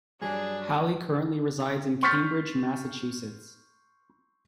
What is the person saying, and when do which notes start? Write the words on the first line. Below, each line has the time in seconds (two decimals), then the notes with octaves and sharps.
Halle currently resides in Cambridge, Massachusetts.
0.22 G2 F#3 G3 D4 G#4
2.03 C6 C#6 F6 G6 A6 B6